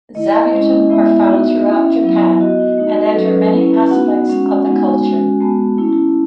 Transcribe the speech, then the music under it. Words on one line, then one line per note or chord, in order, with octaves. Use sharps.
Zabuton are found throughout Japan and enter many aspects of the culture.
A3 E4 D#5
G#3 C#4 E4
G#3 B3 E4 E5
B3 D#4 F#4
A3 C#4 E4
F#3 B3 E4
B3 F#4 D#5
A3 D#4 F#4
A4
F#3 A3 C#4 B4
A3 C#4 E4
B3 D#4 F#4 F#5
G#3 C#4 F#4
G#3 B3 D#4 F#4 G#5
G#3 C#4 F#4
G#3 B3 F#4 A5
A3 C#4 E4